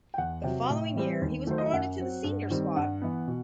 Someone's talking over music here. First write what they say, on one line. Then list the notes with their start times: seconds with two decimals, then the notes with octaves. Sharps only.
The following year, he was promoted to the senior squad.
0.14 G5
0.18 E2 F#5
0.43 C3 F#3 G5
0.70 A2
0.96 E3 G3 C4
1.22 D#2
1.47 D#3 F#3 A3 C5
1.58 D#5
1.66 E5
1.73 F#2 F#5
1.98 F#3 C4
2.24 G2
2.50 D#3 G3 C4
2.76 G2 F#5
3.02 E3 B3
3.28 B2